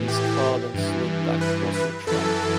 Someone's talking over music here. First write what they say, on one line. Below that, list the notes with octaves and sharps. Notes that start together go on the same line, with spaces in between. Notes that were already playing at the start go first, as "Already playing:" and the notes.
His car then slid back across the track.
Already playing: A2 E3
G4
G2 E3
B4
B4
F#2 E3 A4